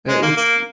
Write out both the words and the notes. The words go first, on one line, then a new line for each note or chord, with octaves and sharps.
It was
G#3
A#3
A#3